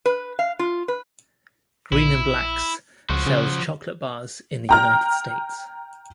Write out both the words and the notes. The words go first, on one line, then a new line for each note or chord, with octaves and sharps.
Green and Black's sells chocolate bars in the United States.
B4
F5
F4
B4
A#1 E4
C#2 F3 F#4
C#3
G5 A#5 F6